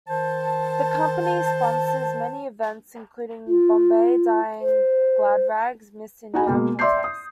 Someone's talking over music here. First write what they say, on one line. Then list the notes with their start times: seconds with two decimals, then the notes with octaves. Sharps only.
The company sponsors many events, including Bombay Dyeing Gladrags Mrs. India contest.
0.08 D#3 C5 A5
3.48 F4
4.61 C5
6.34 D#4 F#4 G#5 B5
6.47 B2 G#3 A#3
6.79 D5 E5 C6 D6 G6 C7
7.04 D#6